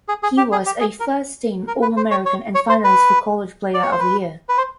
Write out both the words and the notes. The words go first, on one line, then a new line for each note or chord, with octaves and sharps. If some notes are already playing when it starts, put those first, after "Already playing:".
He was a first-team All-American and finalist for "College Player of the Year".
G#4
G#4
G4
G#4
G4
G#4
A#4
A#4
B4
C5
C#5
C#5
C#5
C5
B4
D5
C#5
C5
B4
B4
C5